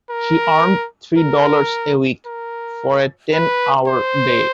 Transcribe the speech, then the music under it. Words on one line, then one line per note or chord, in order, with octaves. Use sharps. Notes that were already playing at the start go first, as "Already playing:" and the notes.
She earned three dollars a week for a ten-hour day.
A#4
A#4
A#4
B4
C5